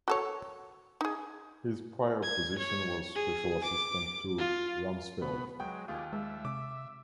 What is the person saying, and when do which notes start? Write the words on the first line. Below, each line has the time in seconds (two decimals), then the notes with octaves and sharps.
His prior position was Special Assistant to Rumsfeld.
0.08 F#4 A4 C#5
1.01 D#4 G#4
2.23 G#6
2.58 C#5
3.15 G#4
3.64 D6
4.38 F4
5.22 B2 B3 B5
5.60 F#3 G#3 G5
5.88 D#2 F4 G4 G#4
6.13 G#3 E5
6.45 C3 D6